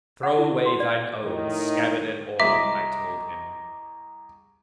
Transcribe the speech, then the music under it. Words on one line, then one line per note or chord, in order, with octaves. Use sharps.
"Throw away thine own, scabbard and all," I told him.
F#5
E4
C6
D5
A2 D#3
C2 G#3 D#5 E5 A#5 C6 D6